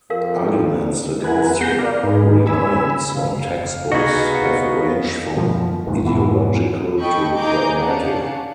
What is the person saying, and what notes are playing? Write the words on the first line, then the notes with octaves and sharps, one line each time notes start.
Arguments against reliance on textbooks have ranged from ideological to pragmatic.
F2 A#4 F5
E4 A#4 B4 F#5 G#5
B3 G#4 F#5 G6 A#6
A#4 D5 F5
G#2 D#4 G#4 B4
G#5 B5 E6
F#1 C#3 E3 F5
C#2 C3 B3 D#4 F#4 G#4
F#2 B2 F3
F1 A#1 D#2 G#2
F2 G#2 B2 E3
A4 D#5 G5 B5 C#6
A#3 D#4 G#4 A#5 D6 G6
C#4 D4 F5 F#5 A5